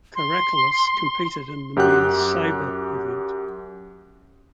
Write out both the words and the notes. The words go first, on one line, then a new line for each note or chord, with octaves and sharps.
Karakalos competed in the men's sabre event.
C6
F#2 G4 F#5 G5 F#6